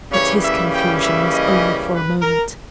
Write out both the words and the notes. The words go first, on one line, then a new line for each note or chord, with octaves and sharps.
But his confusion was only for a moment.
C#3 E3 G3 A#3 C#4 C#5
E5
G5
E5
D#5
B4
A#4